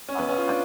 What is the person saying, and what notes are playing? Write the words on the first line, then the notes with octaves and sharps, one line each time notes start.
Uh, I
C#4
B3
C#4
F4
D4